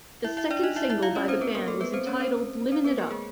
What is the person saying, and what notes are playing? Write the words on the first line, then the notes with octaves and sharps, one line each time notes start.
The second single by the band was entitled "Livin' It Up".
E4 E5
E4 E5
D4 D5
D#4 D#5
E4 E5
E4 E5
F4 F5
C#4 C#5
C4 C5
B3 B4
A#3 A#4
A3 A4
B3 B4
C4 C5
C#4 C#5
C4 C5
C4 C5
B3 B4
A#3 A#4
G#3 G#4